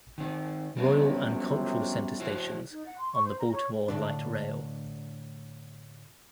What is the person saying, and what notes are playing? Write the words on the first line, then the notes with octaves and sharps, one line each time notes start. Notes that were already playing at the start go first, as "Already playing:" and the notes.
Royal and Cultural Center stations on the Baltimore Light Rail.
D#3 C4
F2 C3 F#3 G3 B3 C#4
E4 F#4 C5
D#4
F#5
C6
C#6
C5
A#5
C#5
A2 D3 D4